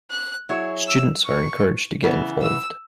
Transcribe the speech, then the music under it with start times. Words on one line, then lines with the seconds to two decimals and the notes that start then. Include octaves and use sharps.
Students are encouraged to get involved.
0.11 F#6
0.49 F#3 E4 G#4 C#5
0.87 E6
1.26 C#6
2.03 C#3 E3 B3
2.41 E6